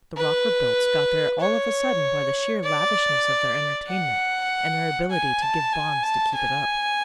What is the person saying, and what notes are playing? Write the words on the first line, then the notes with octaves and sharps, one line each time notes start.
The Rockerbilts got there all of a sudden by the sheer lavishness of their entertainment and their ability to give bonds to keep it up.
B4
C#5
D5
F#5
G#5
A5
G#5
A5
G#5